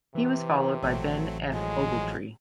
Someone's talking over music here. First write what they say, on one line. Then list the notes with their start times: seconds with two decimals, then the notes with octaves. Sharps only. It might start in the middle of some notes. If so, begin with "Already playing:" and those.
He was followed by Ben F. Ogletree.
0.15 C3 E3
0.83 A1 F#3 A3 C4
1.51 A2 F3 F#3 G#3